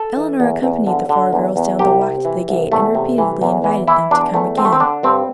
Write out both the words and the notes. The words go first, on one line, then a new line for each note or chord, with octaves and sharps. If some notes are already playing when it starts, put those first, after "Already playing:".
Eleanor accompanied the four girls down the walk to the gate and repeatedly invited them to come again.
Already playing: A4
E3
E2
E2
D3
D3
E2
E2
C2 G4
C3
E3
C2
E2 A3
C3
E3
E2
E3
E3 E4
E2 D4
E2 A3
D3 C4
A3
C4
D3 D4
G2 C4